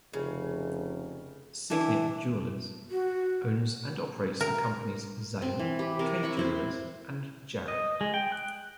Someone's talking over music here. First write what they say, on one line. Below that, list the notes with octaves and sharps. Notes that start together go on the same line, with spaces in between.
Signet Jewelers owns and operates the companies Zale, Kay Jewelers, and Jared.
F1 C#3
E3 D4 E4 E5
F#4
A#4
C4
E3
G4 B4
C3 A#4
E4 B5 C#6
C4 E4 C5
D#5
G#3
G5
F#6